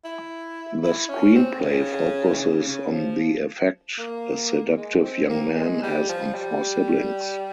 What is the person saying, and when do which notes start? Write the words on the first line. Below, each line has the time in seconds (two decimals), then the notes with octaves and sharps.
The screenplay focuses on the effect a seductive young man has on four siblings.
0.04 E4
0.83 E4
1.09 C#4
1.35 C4
1.61 C#3
2.34 E3
2.40 C#3
2.67 C#3
2.93 F3
3.98 A#3
4.77 G#3
5.03 C4
5.29 A#3
5.55 G#3
5.82 G3
6.09 F3
6.35 G3